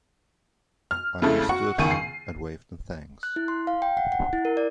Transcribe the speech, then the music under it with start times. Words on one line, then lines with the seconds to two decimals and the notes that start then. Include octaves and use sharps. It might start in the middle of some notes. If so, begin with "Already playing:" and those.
I understood him and waved in thanks.
0.91 F6
1.22 F2 C#3 G#3 A3 E4
1.49 F#4 F#5 C#6
1.78 C#2 D#3 C#6 D#7
1.91 C7
3.23 F#6
3.36 E4
3.48 C6
3.67 F5
3.82 G5
3.97 F#5
4.12 F#5
4.33 E4
4.45 A#4
4.57 D5